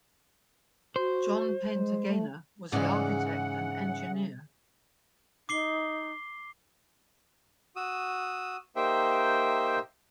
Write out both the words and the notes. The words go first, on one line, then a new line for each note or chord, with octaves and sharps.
John Painter Gaynor was the architect and engineer.
F#4 C5
G#3
A3
G#2 C#3 E3 D5 F#5
D#4 D6 C7 G7
F#4 D#6 E6
A#3 D#4 G4 C5 E5 G5